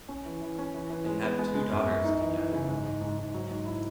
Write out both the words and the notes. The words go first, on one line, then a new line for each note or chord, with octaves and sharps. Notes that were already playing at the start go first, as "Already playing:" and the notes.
They have two daughters together.
C#4
E3
E3
C#4
E3
E3
G#3
B3
G#3
G#3
F#2
F#2
D#4
E3
E3
C#3
G#2
G#2
G#2
G#2
F#3
G#2
E4